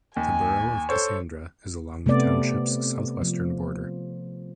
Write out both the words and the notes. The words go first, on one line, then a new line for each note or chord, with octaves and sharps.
The borough of Cassandra is along the township's southwestern border.
D#2 G#5
A4 C5 C#5
C3 A3 B3 D5
F3